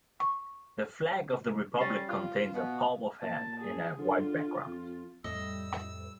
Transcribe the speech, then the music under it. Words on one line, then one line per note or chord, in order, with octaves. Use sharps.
The flag of the Republic contains a palm of hand in a white background.
C#6
G3 C#4 A6 C7
F4 F5
B2 B3
A#2 A5
G#4
D3 F4
F2
F2 A2 G3 A3 D#5 E6